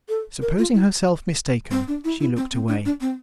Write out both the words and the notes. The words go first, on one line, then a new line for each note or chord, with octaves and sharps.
Supposing herself mistaken, she looked away.
A4
A#4
F4
E4
C4
D4
E4
E4
C4
C4
D4
D4
C4